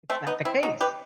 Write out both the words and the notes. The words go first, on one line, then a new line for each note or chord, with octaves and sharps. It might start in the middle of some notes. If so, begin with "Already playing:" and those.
it's not the case.
A3 C4
B3 D#4
C4 E4
D#4 F#4
G4 B4